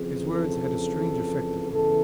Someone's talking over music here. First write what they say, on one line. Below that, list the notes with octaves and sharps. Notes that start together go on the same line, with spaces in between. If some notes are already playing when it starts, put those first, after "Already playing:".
His words had a strange effect upon me.
Already playing: F2 C#3 E3 G#4
A4
E2 C#3 E3 A4